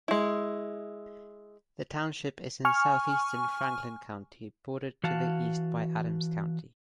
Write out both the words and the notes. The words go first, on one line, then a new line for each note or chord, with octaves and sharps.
The township is in southeastern Franklin County, bordered to the east by Adams County.
G#3 E4
G#5 C#6 F6
E3 F#4 F5 A5